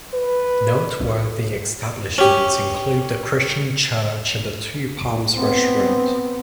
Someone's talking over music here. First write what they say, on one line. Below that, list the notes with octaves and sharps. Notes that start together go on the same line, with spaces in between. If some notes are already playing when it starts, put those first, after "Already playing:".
Noteworthy establishments include the Christian Church and the Two Palms Restaurant.
B4
C#4 G4
B3 C4